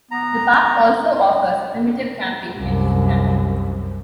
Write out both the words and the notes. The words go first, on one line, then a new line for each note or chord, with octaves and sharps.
The park also offers primitive camping and youth camping.
B3 A#5
C2 F#2